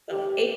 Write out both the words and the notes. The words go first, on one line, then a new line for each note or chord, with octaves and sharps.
So a
G4